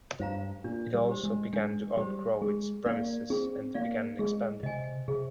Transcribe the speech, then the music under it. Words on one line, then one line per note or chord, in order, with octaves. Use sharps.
It also began to outgrow its premises and began expanding.
G2 C5 F5 A#5
A#2 D4
G3
G4 C5
G#3
G#3 D4
G3 G4 C5
G#3 G#4
A#3 D5 F5
C4 G#4
A#3 D5 F5
G#3 G#4
C3 D#5 G#5
C3 G#4